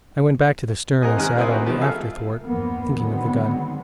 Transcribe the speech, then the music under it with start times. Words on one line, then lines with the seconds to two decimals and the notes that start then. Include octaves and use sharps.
I went back to the stern and sat on the after thwart, thinking of the gun.
1.02 C4 A#4 D#5 F#5 G#5 D#6
1.17 G#2 C3 D#3 G#5 F6 F#6
1.37 C4 E4 F4 A#4 D#5 G#5
1.51 C4 D#4 F#4
1.66 D#3 F3 G3 B3
1.81 G#4 A4 E5 F5
2.43 E2 G2 F3 A#3 B3
2.96 D3 D#3 F#3 G#3 B3 C4